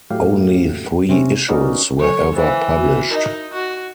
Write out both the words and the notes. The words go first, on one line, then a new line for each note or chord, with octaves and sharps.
Only three issues were ever published.
A2 F#3 G4 F5
C3 C4 C#4
C#4 D#4 F#4 A#4 B4 D5
F#3 A4 C#5 G#5
E3 C5 F5
E4 F#4
D#4 A#4 D#5
F#4